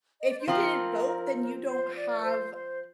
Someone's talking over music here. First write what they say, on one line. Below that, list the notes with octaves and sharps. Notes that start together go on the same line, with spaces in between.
If you didn't vote, then you don't have"
D#5
D5
C5
F3 C4 F4 A#4
C5
D5
A#4
C5
C5